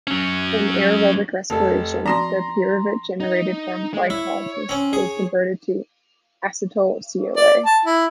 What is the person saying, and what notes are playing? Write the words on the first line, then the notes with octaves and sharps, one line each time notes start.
In aerobic respiration, the pyruvate generated from glycolysis is converted to acetyl-CoA.
F#3 C#4
F1 A4 A5
F3 C4 F#4 A#5 C6 A#6
D#4
G#3
E4 C#5
C4 C#4
G#4 C#5
D5
A5
E4